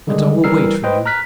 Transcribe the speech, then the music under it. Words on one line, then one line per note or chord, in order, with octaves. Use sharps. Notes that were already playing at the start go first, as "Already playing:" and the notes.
And I will wait for you.
D3 D#3 G3 G#3
E3 G3 A#4 E6 C7
B4 C5 D#5 G5
A#5 F6 F#6 B6